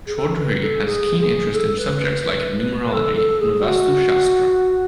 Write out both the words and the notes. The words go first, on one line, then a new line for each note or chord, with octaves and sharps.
Chaudhry has keen interest in subjects like Numerology and Vastu Shastra.
G#4
A4
B4
A4
G#4
G#4
A4
B4
B4
B4
A4
A4
G#4
F#4